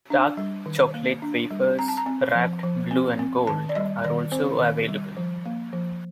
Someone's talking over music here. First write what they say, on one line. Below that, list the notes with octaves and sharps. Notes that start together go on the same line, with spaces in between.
Dark chocolate wafers, wrapped blue and gold, are also available.
D4
G3
D#3
A#3
D4
G3
C4 A#5
A5
A#5
C4
F3
F3
C4
C4
D#3 A5
D5
G3 D#5
D#3 D5
C4 C5
D#3
G3
F3
A#3
F3